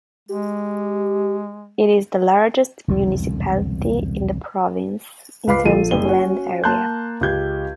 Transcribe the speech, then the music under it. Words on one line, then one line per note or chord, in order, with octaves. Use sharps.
It is the largest municipality in the province in terms of land area.
G#3 G4
E1 C2 F2 D3
C#2 B4 F5 B5 D6 C7
A#1 F3 A4 D#7
F#1 G7
C#4 F#4
A#3 A5 C6 F#6 G6
C#2 G4 G6 G#6